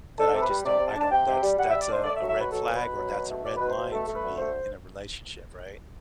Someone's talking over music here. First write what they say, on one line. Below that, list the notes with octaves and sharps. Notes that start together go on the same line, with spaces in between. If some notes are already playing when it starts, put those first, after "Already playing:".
that I, just, don't I don't that's that's a a red flag or that's a red line for me in a relationship, right?"
D4 A4
C3 A4
B4
G3
C3 D5
C3
A5
D4
A5
C3 G5
C3
G3
G3 F#5
E5
G3
D5
D4 C5
A3 D5
E5
F#3
E5
B2 B4
F#3 A4
B2
B4
B2
F#3
B2
A3
B2 D5
B2 B4
C5
B2
A3 A4
A3
B4
D2
A3 C5